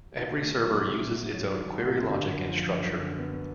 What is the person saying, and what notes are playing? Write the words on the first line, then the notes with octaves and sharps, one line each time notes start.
Every server uses its own query logic and structure.
D#3
A3
F#3
C3
G#2
F#3
D#3
A1
D3
F#2
F3
F#2
D3
B3